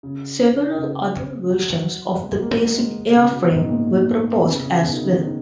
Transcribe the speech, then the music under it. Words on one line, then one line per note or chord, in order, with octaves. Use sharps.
Several other versions of the basic airframe were proposed as well.
C#3
C#3
F#3
G#3
A#3
A#3
G#3
B2
C#3
B2
G#2
A#2
B2
C#3
C#3
B2
D#3
C#3
D#3